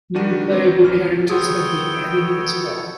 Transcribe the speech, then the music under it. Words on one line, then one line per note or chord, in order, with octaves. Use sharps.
New playable characters have been added as well.
D#3 G3 D4 F#4 D#7
C4 G4 B4
A#1 E2 E3 F6
B3 G#4 A4 C#5 F#5 G5 C6 D#6